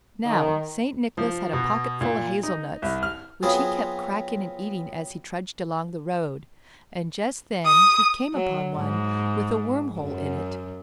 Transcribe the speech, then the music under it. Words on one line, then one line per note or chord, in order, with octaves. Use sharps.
Now, St. Nicholas had a pocketful of hazel-nuts, which he kept cracking and eating as he trudged along the road, and just then he came upon one with a worm-hole in it.
D#3
F3
B2
A#2
D#4
C2
F6
F#3 B3 C4 F4 G#4
D#6
F#3
G#2
F#2